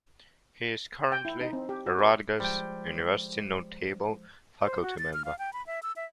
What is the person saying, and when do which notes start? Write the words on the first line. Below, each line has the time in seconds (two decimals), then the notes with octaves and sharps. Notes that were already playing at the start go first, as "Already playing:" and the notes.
He is currently a Rutgers University notable faculty member.
1.12 G5
1.25 E4
1.41 D#4
1.53 C4
1.69 G4
1.86 F#4
1.99 B4
2.40 F3 G3 G#3 C5 G5
4.63 C5
4.82 F#4
4.98 A6
5.13 F6
5.25 F5
5.39 G5
5.53 B5
5.67 E5
5.83 E6
5.96 E5